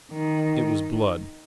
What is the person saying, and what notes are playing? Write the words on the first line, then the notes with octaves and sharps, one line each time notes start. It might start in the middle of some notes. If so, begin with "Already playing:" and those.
It was blood.
D#3